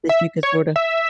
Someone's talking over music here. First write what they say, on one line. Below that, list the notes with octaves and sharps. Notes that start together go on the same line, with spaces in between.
that you could sorta
E5
C#5
E5